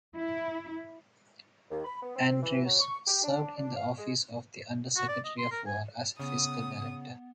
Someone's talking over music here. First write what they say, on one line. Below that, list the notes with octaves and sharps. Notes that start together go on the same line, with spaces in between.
Andrews served in the office of the Under-Secretary of War as a fiscal director.
E4
D#2
B5
B3
C4
E3
F#3
C#6
G4
D4
D4
F5
G#3
F#4
D5
D#5
C6
A#4
G#5
C#3 B3 D#6